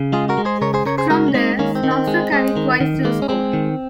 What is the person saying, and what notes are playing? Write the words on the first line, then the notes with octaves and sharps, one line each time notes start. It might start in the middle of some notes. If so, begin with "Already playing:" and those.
From there, Csonka carried twice to a score.
Already playing: C#3
G#3 F4 G#4
F#4 A#4
G#3
G#4 C5
C#3 A#4 C#5
G#4 C5
C#3 A#4 C#5
G#4 C5
G#3 F#4 A#4
C#4
G#3 C4 D#4
D#3 A#3 C#4
C4
D#3
C4
G#3
G#3
D#3
D#3
G#3 A#3
C#4
G#3 C4
D#3